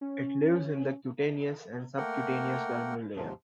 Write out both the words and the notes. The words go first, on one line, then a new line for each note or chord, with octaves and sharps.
It lives in the cutaneous and subcutaneous dermal layer.
C#4
A3 A#3 A#4 F#5 G5
D#2 G#2 C3 F3